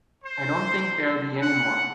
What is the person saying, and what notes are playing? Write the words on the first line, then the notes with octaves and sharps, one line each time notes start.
I don't think there'll be any more.
C5
F#5